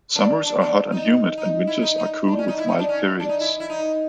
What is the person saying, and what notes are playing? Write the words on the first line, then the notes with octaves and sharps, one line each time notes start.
Summers are hot and humid, and winters are cool with mild periods.
D4
D4
D4
D#4
D#4
E4
D#4
D#4
D4
C#4
D#4
E4
D#4
D4
C#4
D4
D#4
E4
E4
D#4